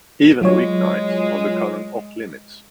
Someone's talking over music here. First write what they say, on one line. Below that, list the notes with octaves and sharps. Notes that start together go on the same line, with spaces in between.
Even weeknights are becoming off limits.
F#3 G#3 F4 C#5